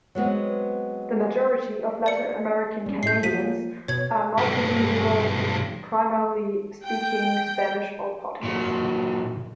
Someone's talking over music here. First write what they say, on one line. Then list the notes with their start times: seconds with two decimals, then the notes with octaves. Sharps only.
The majority of Latin American Canadians are multilingual, primarily speaking Spanish or Portuguese.
0.15 F#3 G#3 B3 C4
2.06 D5 C#7
2.86 G3 C4 C#4
3.03 A2 G6 C7
3.23 F3 A#3 B6 D#7
3.88 B2 C#5 G#6
4.38 B1 G2
6.85 G5
8.43 A#2 F#3